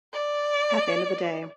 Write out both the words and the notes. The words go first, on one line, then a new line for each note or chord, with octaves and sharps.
At the end of the day.
D5